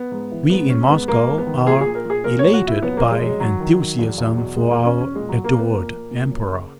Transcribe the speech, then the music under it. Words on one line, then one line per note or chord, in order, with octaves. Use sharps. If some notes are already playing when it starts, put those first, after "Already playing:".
We in Moscow are elated by enthusiasm for our adored Emperor.
Already playing: B3
G#2
E3
G#2 B3
G#2 C#4
G#2 B3
G#2 A#3
G#2
B3
D#3
A#2 G#4
G#4
A#2
A#4
A#2 G#4
A#2 A#4
A#2 C#5
F#4
A#2 E4
F#2 B3
A#3
F#2
G#3
F#2 G#3
D#3 F#3
D#3
D#3
E2
E2
B2
B2 G#3
A#3
E2
C#4
B2 C#4
A#2 G#3
A#2 F#3
A#3
A#2
B3
A#2 A#3
A#2
A#2
F#2
C#3